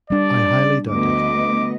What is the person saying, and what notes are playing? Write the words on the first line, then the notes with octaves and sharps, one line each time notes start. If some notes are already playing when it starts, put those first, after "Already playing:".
I highly doubt it.
G3 D4 D5
D2 B3 D#5 D6